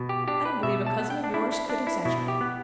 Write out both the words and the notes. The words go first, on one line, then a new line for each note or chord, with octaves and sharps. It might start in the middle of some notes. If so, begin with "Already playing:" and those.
I don't believe a cousin of yours could exaggerate.'
Already playing: B2
G4
D4 G4
B4
B2 E5
A5
B3
G5
D4
D4 E4
E4
D4
E4
B2 E4
G4
B3